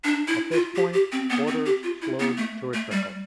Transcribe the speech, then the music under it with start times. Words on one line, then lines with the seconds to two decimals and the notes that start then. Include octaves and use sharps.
At this point orders slowed to a trickle.
0.04 D4
0.28 E4
0.52 F4
0.75 G4
0.94 G4
1.12 C4
1.30 B3
1.48 C4
1.66 G4
1.83 F4
2.02 E4
2.20 B3
2.37 A3
2.74 A3
2.92 G3